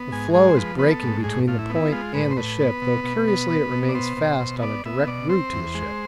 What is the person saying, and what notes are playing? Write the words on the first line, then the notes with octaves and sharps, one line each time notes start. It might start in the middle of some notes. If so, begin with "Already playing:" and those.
The floe is breaking between the point and the ship, though curiously it remains fast on a direct route to the ship.
Already playing: B3
G#2 G#5
G#3 G#5
C5
F3 B4
B3 B4
A4
G#2
A2 G#4
A2 F4
E4
B3
E4
G#3 F4
A2 B4
C5
A2 B4
B3
B2
B2
B3
B3
B2
D5
B3 C5
B2
B2
B3 D5
B3 E5
B2 D5
C4 C5
E2
G#3